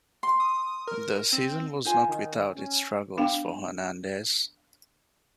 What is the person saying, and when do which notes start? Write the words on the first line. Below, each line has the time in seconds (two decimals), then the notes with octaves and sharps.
The season was not without its struggles for Hernandez.
0.23 C6
0.40 D#6
0.87 A#4
1.33 C4
1.85 D#4 F4 C5 G#5
2.07 D#3
2.54 C#4
3.18 B3 D4 F5 G5